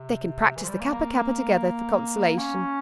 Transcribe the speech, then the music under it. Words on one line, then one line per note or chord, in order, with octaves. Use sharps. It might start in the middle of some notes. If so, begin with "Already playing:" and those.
They can practice the Kappa-kappa together for consolation.
Already playing: C3
E3
F3
G3
A#3
A#3
C#4